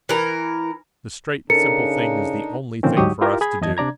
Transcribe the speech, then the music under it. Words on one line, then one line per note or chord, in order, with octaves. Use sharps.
The straight and simple thing is the only thing for us to do.
E3 A#4
C#3 D4 D#4 A4 A#4 C#7
A#2 D3 D#3 F3 C4 C#4
D2 G#2 F#3 G4 C#6 D#6
E4 F4 G4 A#4
G#4 B5 G#6
E2 E3 D#5 A5 G#6
C3 D4 D5 A#5 G#6